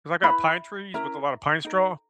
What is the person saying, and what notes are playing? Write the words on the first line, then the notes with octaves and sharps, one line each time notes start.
'cause I got pine trees with a lot of pine straw
E4 B4 B5
C#4 E4 A#4 A#5
D#4 A#4